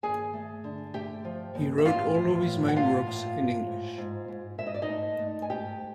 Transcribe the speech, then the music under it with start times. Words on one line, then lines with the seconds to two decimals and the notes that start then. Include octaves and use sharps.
He wrote all of his main works in English.
0.03 D#2 G#4 G#5
0.33 A3
0.64 D3
0.94 A3 G4 G5
1.25 F3
1.55 D#2
1.78 E5
1.85 A2 F4 F5
2.15 E3
2.46 A2
2.68 F#5
2.76 A2 F4 F5
3.07 A2
3.37 A2
3.67 G#2
3.98 G#2
4.28 G#2
4.58 G#2 E5
4.67 D#5
4.74 D5
4.82 D#4 D#5
4.89 A3
5.19 A3
5.42 G#5
5.49 G#2 G4 G5